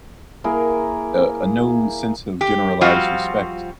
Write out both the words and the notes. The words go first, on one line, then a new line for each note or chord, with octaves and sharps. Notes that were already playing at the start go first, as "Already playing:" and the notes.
uh, no sense of generalized respect.
A#3 E4 G#4 A#4
G4
F3 G3 C4 F4 F#4